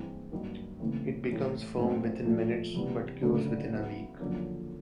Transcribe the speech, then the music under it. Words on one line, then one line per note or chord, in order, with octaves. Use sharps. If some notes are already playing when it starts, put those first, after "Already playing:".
It becomes firm within minutes but cures within a week.
Already playing: G2 E3 G#3 C4
G2 D#3 F#3 A#3
D#2 C#3 E3 A3 C4
A2 E3 G3
G#2 D#3 F#3 A3 C4
A#2 F3 A3
C3 E3 G3 B3
D2 C#3 F#3 A3 D4
F#3 B3 E4
F#2 D3 F3 A#3 C#4